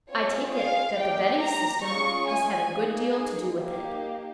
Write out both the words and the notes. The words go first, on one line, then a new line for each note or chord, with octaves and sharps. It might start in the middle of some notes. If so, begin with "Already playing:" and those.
I take it that the bedding system has had a good deal to do with it.
C4 F4 G#4 C#5
F5
A#3 D#4 G4 G5
A#5
C#4 F4 G#4 C#6
G#5
A#3 D#4 G#4
A#3 D#4 G4